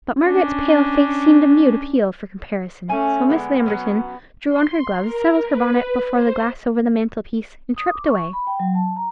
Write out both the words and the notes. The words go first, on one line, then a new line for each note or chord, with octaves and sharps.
But Margaret's pale face seemed a mute appeal for compassion; so Miss Lamberton drew on her gloves, settled her bonnet before the glass over the mantel-piece, and tripped away.
C#4 D4
A3 C#4 G#5
D3 G#3 B3
F#3 G#3 C#4
C6
A#4
B4
C5
D#6
D6
C#6
B5
G5
F#3
A5
A#5